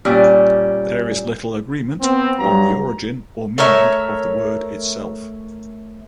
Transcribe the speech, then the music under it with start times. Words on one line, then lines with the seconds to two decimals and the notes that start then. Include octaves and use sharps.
There is little agreement on the origin or meaning of the word itself.
0.05 A#2 G3 C#4
2.01 B3 C4
2.39 G2 F#3 A#5
3.58 A3 A#4 C#5 E5